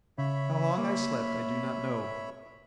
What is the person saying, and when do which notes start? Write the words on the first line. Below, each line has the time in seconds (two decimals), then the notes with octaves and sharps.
How long I slept I do not know.
0.18 C#3 C#5 E5 B5
0.78 A#3